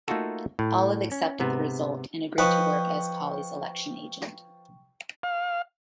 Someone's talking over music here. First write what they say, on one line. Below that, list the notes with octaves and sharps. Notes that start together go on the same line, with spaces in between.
Olive accepted the result, and agreed to work as Paulley's election agent.
A3 A#3 D#4 F4 F#4 A4
A2
C#4
G#2 C3 B3
F3 B4 D#5 G5 C#6
F5